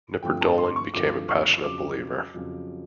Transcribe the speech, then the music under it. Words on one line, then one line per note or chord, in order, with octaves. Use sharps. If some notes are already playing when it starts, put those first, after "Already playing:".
Knipperdolling became a passionate believer.
G2 D3 F3 A3 C4 G5
A5
C6
C#6
G2 D3 F3 A3 C4 D6
C#6
F2 C#3 F#3 D6
F2 C#3 F#3